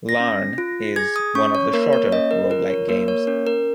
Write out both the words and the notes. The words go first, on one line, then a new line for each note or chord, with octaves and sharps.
"Larn" is one of the shorter roguelike games.
A#6
C#4
F4
G#4 G#6
D#6
C#4 C#6
C#5
A#3 A#4
C#5
C#4 D#5
A#4
F4 A#4
C#5
A#3 A#4
C#5
C#4 A#4
A#4